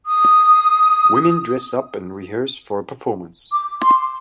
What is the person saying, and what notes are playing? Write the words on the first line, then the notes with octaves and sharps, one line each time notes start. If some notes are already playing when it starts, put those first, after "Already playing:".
Women dress up and rehearse for a performance.
D#6
D6
C6